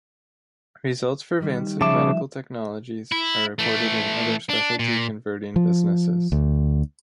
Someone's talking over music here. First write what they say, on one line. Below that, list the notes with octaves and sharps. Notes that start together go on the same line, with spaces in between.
Results for Vancive Medical Technologies are reported in Other specialty converting businesses.
D#3 G3
C#3 F3 E5 A5 D6
E4
E3 A3
D4
A#2
F3
D2